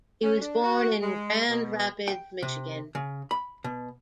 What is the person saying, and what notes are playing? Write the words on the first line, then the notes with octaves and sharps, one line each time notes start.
He was born in Grand Rapids, Michigan.
C#4
D4
F#4
G#3
B2
G5
C3
C#3
B5
B2